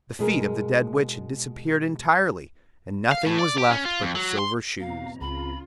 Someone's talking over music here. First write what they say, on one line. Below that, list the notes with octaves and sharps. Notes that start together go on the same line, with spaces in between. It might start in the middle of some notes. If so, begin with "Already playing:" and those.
The feet of the dead Witch had disappeared entirely, and nothing was left but the silver shoes.
B2 G#3 G#4 A#4
F5
A2
D5
G4
C#4
F4
F2
F#3
C6
E2 B2 C4 F5 A#5
C#2 C#3 F4 B5